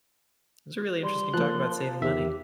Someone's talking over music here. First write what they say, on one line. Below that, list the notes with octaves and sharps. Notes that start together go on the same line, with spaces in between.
was a really interesting talk about saving money.
G3 C6
F3 A#3 F#6
E2 D#3 G4 E5